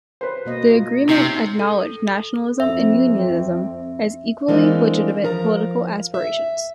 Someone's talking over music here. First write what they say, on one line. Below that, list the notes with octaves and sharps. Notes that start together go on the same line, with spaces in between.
The agreement acknowledged nationalism and unionism as "equally legitimate, political aspirations".
B4 C5
B2 A#3 D#5
F4
C3 C#4 D#4
A4
F2 C4 E5
E3 G#3 A#3 C4 D4 D#4
F3 A#4 F5 A#5
E5